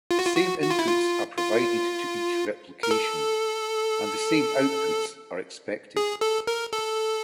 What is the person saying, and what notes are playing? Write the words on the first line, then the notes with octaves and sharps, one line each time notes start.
The same inputs are provided to each replication, and the same outputs are expected.
F4
F#4
F4
F#4
F#4
F4
E4
F4
F4
A#4
A4
G#4
A4
A#4
A4